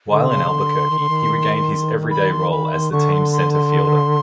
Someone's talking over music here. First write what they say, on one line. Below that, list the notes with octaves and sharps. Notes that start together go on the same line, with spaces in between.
While in Albuquerque, he regained his everyday role as the team's center fielder.
D3
C#3 C6
C#3
D3
D#3
D3
D#3
B5
C6
B5
C6
D3 C#6
C6
C6
C6